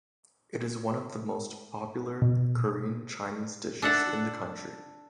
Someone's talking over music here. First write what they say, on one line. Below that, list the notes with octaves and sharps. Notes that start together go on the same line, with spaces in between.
It is one of the most popular Korean Chinese dishes in the country.
B2
D4 A4 E5 F#5